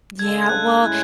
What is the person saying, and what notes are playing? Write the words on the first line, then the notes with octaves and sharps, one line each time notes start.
Yeah, well,
C#3 G#3 D4 A4 G#6
G#6
F#6
A2 G#3 C#4 E4